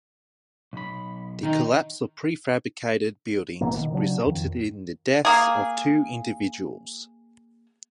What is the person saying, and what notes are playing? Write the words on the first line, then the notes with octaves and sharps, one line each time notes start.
The collapse of prefabricated buildings resulted in the deaths of two individuals.
B1 B5
D#3 D#4
A#1 B2 E3 A#3
D#3
C#3 F#3 C4 D4
F2 D#3
A#3 G#4